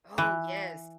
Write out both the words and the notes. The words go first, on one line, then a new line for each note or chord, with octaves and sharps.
Oh, yes.
E3